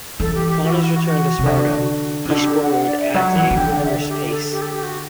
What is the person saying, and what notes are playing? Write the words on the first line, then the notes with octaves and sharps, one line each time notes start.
Upon his return to Sparta, he scored at a rigorous pace.
E3 A4
G4
G4
F#4
E4
F#4
F#4
F#4
C3
D3
C3
D3 F#4
G4
A4
F#5
F#5
D5
E5
F#3 F#5
E3
E3
D3 G5
F#5
D5
E5
A4
G4
A4
G4
A4
G4
F#4